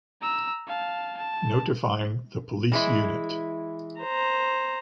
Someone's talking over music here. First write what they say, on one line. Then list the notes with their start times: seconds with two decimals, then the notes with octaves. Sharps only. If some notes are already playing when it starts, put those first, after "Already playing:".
Notifying the police unit.
0.21 A#5 E6
0.67 F5 A5
1.17 A5
2.72 E3 G#3 E4
4.01 C5 A#5